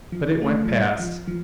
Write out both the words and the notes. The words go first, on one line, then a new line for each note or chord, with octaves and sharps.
But it went past.
F3
A3
F3
G3
F3
F3